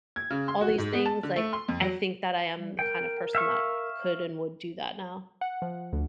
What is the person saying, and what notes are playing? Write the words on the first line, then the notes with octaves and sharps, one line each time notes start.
all these things, like, I think that I am the kind of person that could and would do that now.
G#6
C#3
C6
F#4
G#2
B3
A5
D3
A3
C6
F2
F#3
G3
A#4 G5
E5 F5 C#6
F#5
F3
D2